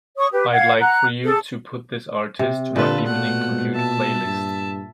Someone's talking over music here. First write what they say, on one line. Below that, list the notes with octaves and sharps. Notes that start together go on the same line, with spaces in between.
I'd like for you to put this artist to my Evening Commute playlist.
C#5 C#6 D#6
G4 B4
F5 F#5 G#6
F#5 A#5 F#6
G#4 A4
C3
A#2 D3 F4 A4 B4
B2 A3 F#5
E5 A5
G2